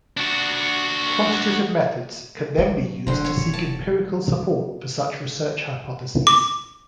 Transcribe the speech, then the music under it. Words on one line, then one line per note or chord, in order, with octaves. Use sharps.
Quantitative methods can then be used to seek empirical support for such research hypotheses.
D4 F#4
F#3
E1 D3 C5
C#5
A5
D6